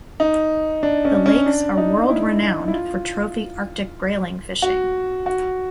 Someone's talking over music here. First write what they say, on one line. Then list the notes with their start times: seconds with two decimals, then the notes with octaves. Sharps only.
The lakes are world-renowned for trophy Arctic grayling fishing.
0.20 D#4
0.83 D4
1.05 C#4
1.26 C#4
1.46 D4
1.77 D#4
2.09 E4
2.68 E4
2.73 F4
4.62 F#4
5.26 F#4